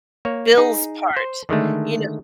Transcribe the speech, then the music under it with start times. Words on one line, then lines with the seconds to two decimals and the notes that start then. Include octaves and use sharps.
bills part, you know?
0.25 A#3 C#5
0.57 D#4 G#4
1.17 C5
1.49 D3 D#3 G#3 A3